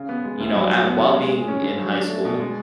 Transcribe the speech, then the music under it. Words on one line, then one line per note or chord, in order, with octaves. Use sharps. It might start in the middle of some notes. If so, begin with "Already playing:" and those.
you know, and while being in high school,
Already playing: C#3
B3
G#3
D2
F#3
F#4
B3
C#3
G#3
G#4
C#4
D3
F#3
D4
A3
B2
G#3